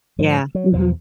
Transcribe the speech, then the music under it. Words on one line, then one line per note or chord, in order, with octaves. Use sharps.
Yeah, mhm.
G#2 F3
F#3
E2 B2 F3